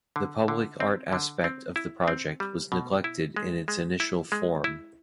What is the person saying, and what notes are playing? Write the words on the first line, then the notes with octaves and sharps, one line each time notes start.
The public art aspect of the project was neglected in its initial form.
D3
D3
C4
D3
C4
E4
C4
G3
B2
E4
G#3
G#3
E4
G#3
E4